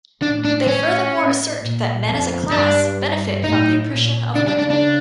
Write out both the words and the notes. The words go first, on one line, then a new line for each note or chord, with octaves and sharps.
They furthermore assert that men as a class, benefit from the oppression of women.
A2 D4
D4
C#4
A#2
F2
G2 D4
A2 D#4
A#2
C#3 D4
D4
D4
D4